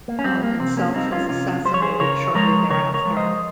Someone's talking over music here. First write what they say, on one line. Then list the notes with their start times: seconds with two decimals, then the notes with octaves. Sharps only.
Paul himself was assassinated shortly thereafter.
0.08 A#3
0.19 C#4
0.24 G3 C4
0.43 A#3
0.60 C3 C4
0.77 A#3 C#4
0.94 G3 C4 D#4
1.12 C#4 F4
1.29 C3 C#4 F4
1.65 G3 C5
1.74 C#5
1.82 G#4 C5
2.00 C#3 A#4 C#5
2.35 F3 G#3 A#4 C#5
2.70 C#3 A#4 C#5
2.94 A#4 C#5
3.05 F3 G#3
3.17 C5 D#5